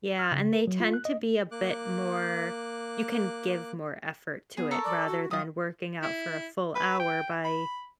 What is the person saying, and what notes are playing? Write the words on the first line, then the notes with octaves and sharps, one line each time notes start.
Yeah, and they tend to be a bit more you can give more effort to it rather than working out for a full hour, by
F6
C#3
A#4
F#3
F4
F#6
D#5
A#3 D6 F#6
B3 G#4
A4 A#4 C#6
D5
F#4
F#3 F4 D#6
E4
B4
G5
B5